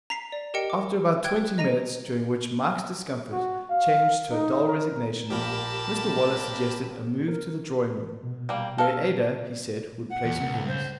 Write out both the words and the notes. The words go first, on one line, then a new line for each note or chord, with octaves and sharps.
After about twenty minutes, during which Mike's discomfort changed to a dull resignation, Mr Waller suggested a move to the drawing-room, where Ada, he said, would play some hymns.
A#5 B6 C7 F7
D5
G4 A#4 D#5 G5 C#7
D6
G5 F#6 G#6
D#5 A#5 A#6 D#7
F#4
F5
D#4
A#4
A#1 A#2 G4 A#4 A5 B5
A#4
B2
G3 A#3
A4 A#4 F5
F#5
E2
C#2
C5